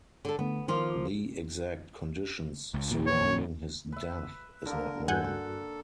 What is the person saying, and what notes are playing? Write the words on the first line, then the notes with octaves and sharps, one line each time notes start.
The exact conditions surrounding his death is not known.
D3 A4
D3 A3 B3
D#3 F3 A#3 F4 D6
C#2
A#1 D#2 A#2
C#5
B4 E5
D3 A#3 A#4
G2 F#4 A4 F#5 G#5 F#6 G6